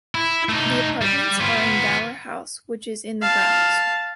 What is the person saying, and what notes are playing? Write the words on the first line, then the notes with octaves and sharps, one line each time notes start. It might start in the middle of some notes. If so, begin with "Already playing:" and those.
The apartments are in Dower House which is in the grounds.
E4
A3 D#4
G3
B3 F4
F5 A5